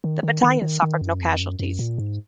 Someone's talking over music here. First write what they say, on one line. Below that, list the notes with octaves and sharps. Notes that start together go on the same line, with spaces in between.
The battalion suffered no casualties.
D#3
D#3
D#3
D#3
D#3
F#2
F2
F#2
F#2
A#2
G#2